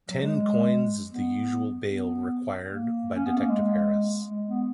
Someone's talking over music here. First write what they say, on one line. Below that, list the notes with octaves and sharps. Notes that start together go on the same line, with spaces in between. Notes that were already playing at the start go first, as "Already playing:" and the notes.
Ten coins is the usual bail required by Detective Harris.
F#3
G#3
B3
B3
A#3
C#4
B3
A#3
G#3
G#3
B3